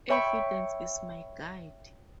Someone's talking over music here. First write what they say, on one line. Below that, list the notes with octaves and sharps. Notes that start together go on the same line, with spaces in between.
Evidence is my guide.
C#5 E5 G5 B5 C#6